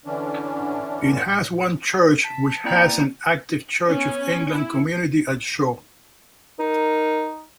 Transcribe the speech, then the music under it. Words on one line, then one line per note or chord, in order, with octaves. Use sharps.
It has one church which has an active Church of England community at Shaw.
D3 E3 C#4 D4
A5 B6
A#3 C4 E4 D5 G5 A#5
B3 C#4 G#5
E4
D#4 A#4